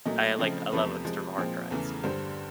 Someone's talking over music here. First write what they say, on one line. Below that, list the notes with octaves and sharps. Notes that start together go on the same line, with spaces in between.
I like, I love external hard drives, like,
A#2 F#3 A3 D#5
C#3 F3 A3 C4
E2 C3 F3 A3 B4
C3 F3 G#3
A#2 F3 G#3 C4
E2 C#3 E3 A3
G2 D3 G3 C5